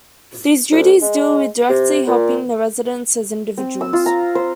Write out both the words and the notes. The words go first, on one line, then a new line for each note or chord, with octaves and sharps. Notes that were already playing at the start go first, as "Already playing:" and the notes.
These duties deal with directly helping the residents as individuals.
D2
G#3
C3
A#2
C4
E6
F4
A#5
C5